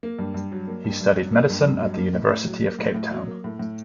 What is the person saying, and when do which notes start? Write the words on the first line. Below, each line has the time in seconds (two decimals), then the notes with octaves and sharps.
He studied medicine at the University of Cape Town.
0.03 A#3
0.19 G2
0.34 G2
0.52 F#3
0.68 A#3
0.84 G2
1.01 G2
1.17 F#3
1.32 A#3
1.49 G2
1.65 G2
1.81 F#3
1.97 A#3
2.13 A2
2.30 A2
2.47 F#3
2.63 A#3
2.79 A2
2.94 A2
3.12 F#3
3.27 A#3
3.44 A2
3.59 A2